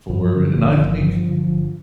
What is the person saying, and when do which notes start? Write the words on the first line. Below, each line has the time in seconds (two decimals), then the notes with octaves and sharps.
for and I think
0.10 G2 F3
0.32 D3
0.56 G1
0.78 G1
1.01 G2 F3
1.24 D3
1.31 F3
1.47 G1